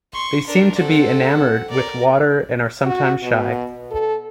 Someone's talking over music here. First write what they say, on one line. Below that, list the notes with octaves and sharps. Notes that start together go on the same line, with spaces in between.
They seem to be enamored with water and are sometimes shy.
C6 C#6
D4 A#4
C4 A4 F#5
A#4 D5
F#4
B2
A4